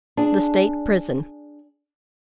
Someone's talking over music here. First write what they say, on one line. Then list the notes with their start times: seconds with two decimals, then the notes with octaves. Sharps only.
The State Prison.
0.17 D4 G#4